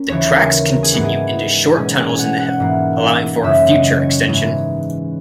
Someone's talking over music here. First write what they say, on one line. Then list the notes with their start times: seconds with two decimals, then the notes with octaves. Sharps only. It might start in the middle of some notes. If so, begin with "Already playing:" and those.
The tracks continue into short tunnels in the hill, allowing for a future extension.
Already playing: A#3 C#4
0.09 D#2 C#3 E3 C#5
0.30 A#4
0.51 A#4
0.72 A#4
0.83 G#4
0.93 G#2 E3 G#3 B3
1.04 G#4
1.76 B2 G#3 C#4 G#4
1.98 G#4
2.09 G#5
2.19 F#5
2.39 F#5
2.60 G#2 E3 A#3
3.42 F#2 C#3 G#3 C#4 E5
3.72 D#5
4.00 C#5
4.28 G#2 E3 G#3 C#4